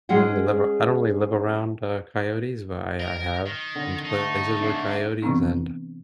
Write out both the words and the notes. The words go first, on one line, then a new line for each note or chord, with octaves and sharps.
I don't really live aroun I don't really live around, uh, coyotes, but I I have been to places with coyotes, and
G#3 C#4 G#4 F#5 G5
A#4 D#5
D#3
D3
A3 D#4
G#2 D4 E5
C3 E3 B3 C4 D4